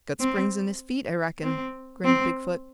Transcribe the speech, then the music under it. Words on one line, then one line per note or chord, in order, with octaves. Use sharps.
"Got springs in his feet, I reckon," grinned Big-foot.
C4
C4
C4